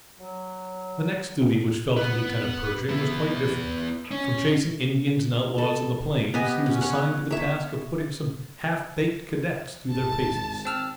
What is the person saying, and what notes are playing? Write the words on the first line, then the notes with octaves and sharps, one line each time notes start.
The next duty which fell to Lieutenant Pershing was quite different. From chasing Indians and outlaws on the plains, he was assigned to the task of putting some "half baked" cadets through their paces.
F#3
B4 F#5
B3 E4
C#4
A4
B3 G4 D#5 G#5
C#4
C#5 F#5
C#5 E5
G#1 A5
C4 E6 F6